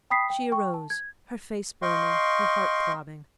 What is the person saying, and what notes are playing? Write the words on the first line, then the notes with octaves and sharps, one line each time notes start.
She arose; her face burning, her heart throbbing.
G5 B5 D#6 B6 C7
G5
G5 C#6
A5
G#6
D#5 F5 G5 C6 C#6